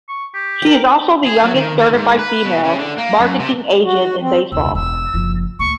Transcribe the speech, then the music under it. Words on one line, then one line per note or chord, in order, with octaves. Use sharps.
She is also the youngest certified female marketing agent in baseball.
C#6
G4
A#4 G5
G#4
F#3
D#3
D#3
G#2
B4
B2
C#3
D3
A#3
F#2
C3
F#4
C4
E1 C#2 E6
E1 E6
F#1 F3
D2 A#2 C#6